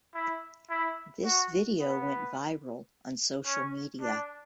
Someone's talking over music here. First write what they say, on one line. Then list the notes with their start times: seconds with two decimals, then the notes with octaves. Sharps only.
This video went viral on social media.
0.15 E4
0.70 E4
1.25 F#4
1.80 B3
3.46 C#4
4.01 D4